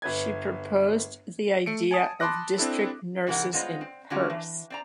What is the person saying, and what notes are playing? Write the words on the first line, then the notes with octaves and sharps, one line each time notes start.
She proposed the idea of district nurses in Perth.
G1 B4 G#6
A3 C#7 D7
G#5 A5 D#6
A5 B5 C6 D6 F#6 A#6
C4 D4 E4 A4
G#2 C3 E3 A#4 F#5
G3 G#3 B3 F4 C5 D#5
C4
D3 G#3 C#4 D4 F4 G4
E3
C4 D5 A#5